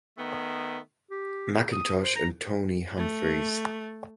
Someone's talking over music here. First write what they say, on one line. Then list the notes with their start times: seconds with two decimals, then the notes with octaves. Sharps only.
Mackintosh and Tony Humphries.
0.17 D#3 A3 B3
1.10 G4
1.52 G#4
1.72 D#6
2.03 C5
2.16 A#5
2.97 A3